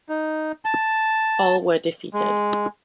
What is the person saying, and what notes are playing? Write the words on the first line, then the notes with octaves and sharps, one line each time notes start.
All were defeated.
D#4
A5
G#3